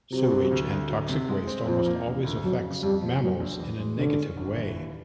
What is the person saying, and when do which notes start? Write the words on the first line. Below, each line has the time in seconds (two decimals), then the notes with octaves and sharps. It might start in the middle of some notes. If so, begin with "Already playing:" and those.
Sewage and toxic waste almost always affects mammals in a negative way.
0.12 C3 F#3
0.32 F#3
0.51 D2
0.70 D2
0.90 F#3
1.09 C3
1.28 G#3
1.47 C4
1.67 F2 F3
1.86 A#3
2.05 E1
2.24 D2
2.44 F2 F#3
2.63 C#3
2.83 F2 G3
3.02 F3
3.21 A#2 F#3
3.40 A#1
3.60 E2
3.79 G#3
3.98 D3 C#4
4.18 C#4
4.37 G1
4.56 E3
4.76 D#2